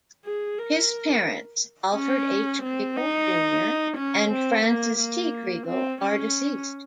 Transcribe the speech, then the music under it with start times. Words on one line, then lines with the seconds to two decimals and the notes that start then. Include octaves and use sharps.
His parents, Alfred H. Kregel Junior and Frances T. Kregel, are deceased.
0.24 G#4
0.58 A#4
1.94 C#4
2.62 C4
2.96 D#4
3.97 C#4
4.31 C4
4.66 A#3
4.99 A#3
5.66 C4
6.01 C#4